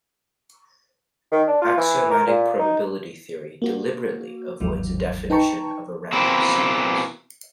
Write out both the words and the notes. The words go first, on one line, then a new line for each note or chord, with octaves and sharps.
Axiomatic probability theory "deliberately" avoids a definition of a random sequence.
D#3
D4
F4
E3
A#4
A#2
D#4
A#3 F#4
G1 D#2 G#2 E3 F#3
D#4 B4 G5 A5 A#5 C#6
B2 E3 A#3 C4 E4